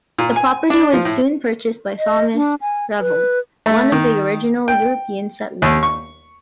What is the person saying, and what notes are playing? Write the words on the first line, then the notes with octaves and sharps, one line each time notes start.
The property was soon purchased by Thomas Revell, one of the original European settlers.
A#2
G#5
D4
F3
A2
D#5
D4
G#5
B4
A3
D#3
G5
D#2
C#6